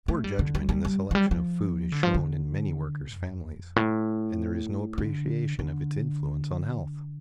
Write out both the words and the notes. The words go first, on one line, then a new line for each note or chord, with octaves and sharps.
Poor judgment in the selection of food is shown in many workers' families, and there is no appreciation of its influence on health.
A3
G3
D3
G3
G3
G3
F3
G3
F3
D3
F3
D3
F2
A2
D3
D3